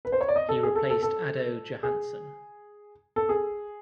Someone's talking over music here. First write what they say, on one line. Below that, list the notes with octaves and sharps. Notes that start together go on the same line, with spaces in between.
He replaced Ado Johanson.
B4
C5
C#5
D5
D#5
A4
G#4
A4
A4
A4
G#4
A4
G#4